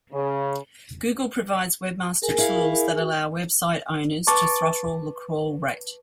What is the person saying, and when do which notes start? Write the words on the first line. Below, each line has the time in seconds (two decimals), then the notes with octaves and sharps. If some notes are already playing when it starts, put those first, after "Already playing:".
Google provides "Webmaster Tools" that allow website owners to throttle the crawl rate.
0.13 C#3
2.22 G#4 A#4 G#5
2.38 E4 F5
3.00 F#4
4.27 B4 A5 C#6 D6